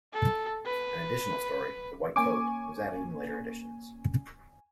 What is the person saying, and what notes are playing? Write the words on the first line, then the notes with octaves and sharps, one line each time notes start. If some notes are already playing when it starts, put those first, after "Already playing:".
An additional story, "The White Boat", was added in later editions.
A4
B4
A#3 C#4 G#5 C#6 D6